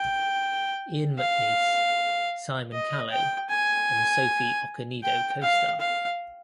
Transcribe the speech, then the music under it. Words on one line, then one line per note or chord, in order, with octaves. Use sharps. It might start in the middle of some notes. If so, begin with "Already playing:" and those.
Ian McNeice, Simon Callow, and Sophie Okonedo co-star.
Already playing: G5
F5
D#5
G5
G#5
G5
F5
F5